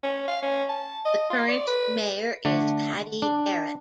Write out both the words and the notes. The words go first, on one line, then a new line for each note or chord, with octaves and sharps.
The current mayor is Patti Garrett.
C#4
F5
C#4
A5
D#5
F4
D5
B4
D3 A3 D4
D4